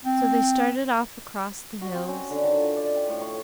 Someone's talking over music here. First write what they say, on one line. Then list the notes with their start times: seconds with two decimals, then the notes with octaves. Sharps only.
So they started off across the hills.
0.05 C4
1.81 F#4
1.95 C4
2.08 C#4
2.30 D3
2.43 D#3
2.60 F4
2.77 D5
2.96 G5
3.09 A2
3.21 C#5